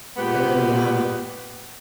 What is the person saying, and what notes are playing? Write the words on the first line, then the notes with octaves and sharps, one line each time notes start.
Oh, yum.
A#2 G#3 B3 G4 B4